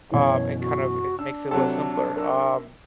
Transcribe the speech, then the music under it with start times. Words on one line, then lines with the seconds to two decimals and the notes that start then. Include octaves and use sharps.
um, and kind of it makes it a little simpler. Um,
0.11 F#2 B2 E3 C#5
0.60 F#4
1.19 D4 E6
1.51 C3 F#3 A4
2.17 A#4 E6